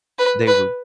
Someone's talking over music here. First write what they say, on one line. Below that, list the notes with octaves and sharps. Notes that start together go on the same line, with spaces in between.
They were
B4
B4